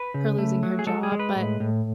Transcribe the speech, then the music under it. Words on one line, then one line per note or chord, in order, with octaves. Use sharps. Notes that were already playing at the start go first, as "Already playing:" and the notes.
her losing her job, but,
Already playing: B4
C#3
A3
F#3
G#4
G#3 A4
G#4
G#3
B4
A2
A2